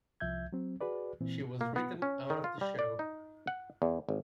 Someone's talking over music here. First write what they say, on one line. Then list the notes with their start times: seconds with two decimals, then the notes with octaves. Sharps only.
She was written out of the show.
0.20 C2 F3 E5 G6 G#6
0.53 F#3 C4
0.81 F#4 G#4 B4 D5
1.21 A#2 E3 C4
1.61 A#3
1.76 B3
2.02 C#4
2.30 D#3
2.44 F4
2.61 G3
2.79 D5
2.99 D#4
3.47 F#5
3.82 E2
4.09 G#1